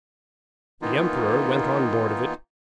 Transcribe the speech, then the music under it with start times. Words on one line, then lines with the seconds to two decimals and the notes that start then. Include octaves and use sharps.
The emperor went on board of it.
0.82 D#3 E3 A#3 B3 D#4 F4